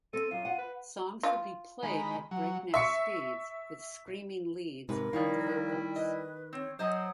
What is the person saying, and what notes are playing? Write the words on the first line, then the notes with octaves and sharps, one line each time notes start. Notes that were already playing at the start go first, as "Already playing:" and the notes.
Songs would be played at breakneck speeds, with screaming leads and vocals.
C4 A4 D#7
F#2 F4
F4 F#5
B4
F4
D#3 G#3 B5
F#3
E5 C#6 C#7
G#2 C3 A#4 B4
D#3 F3 G3 E4 C#5 F5
B4 D#5
C4 C#5
F#3 C5 D#5 G#5 D#6